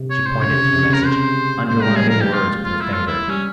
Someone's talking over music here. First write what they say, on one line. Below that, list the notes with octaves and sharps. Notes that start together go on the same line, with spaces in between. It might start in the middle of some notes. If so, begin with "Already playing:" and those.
She pointed to the message, underlining words with her finger.
Already playing: C3
C#5
C5
C3
C#3 C#5
C3
C#3
C3
C#3
C3 A#4
C5
A#3 C5
G#3
A#4
G3
G#4
F3
A#4
G4
F4
F4
E4
F4
E4
G3 C#4